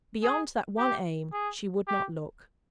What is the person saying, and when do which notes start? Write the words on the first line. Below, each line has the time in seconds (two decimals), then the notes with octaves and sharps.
Beyond that one aim she would not look.
0.23 G#4
0.78 G4
1.32 G#4
1.87 G4